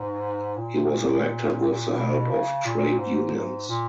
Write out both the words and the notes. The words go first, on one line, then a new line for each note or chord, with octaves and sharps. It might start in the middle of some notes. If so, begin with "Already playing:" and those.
He was elected with the help of trade unions.
Already playing: G#2
A#2
B2
C#3
A#2
G#2
G#2
A#2